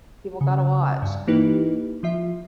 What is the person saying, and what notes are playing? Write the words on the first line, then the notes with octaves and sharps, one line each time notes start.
People gotta watch.
C#3
G2
E3 A#3 D#4 E4 G4 B4
F3 F4 E5